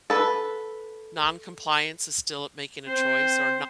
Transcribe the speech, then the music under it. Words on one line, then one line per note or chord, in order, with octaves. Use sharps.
"Non-compliance is still making a choice," or
A4 B4
C4 C5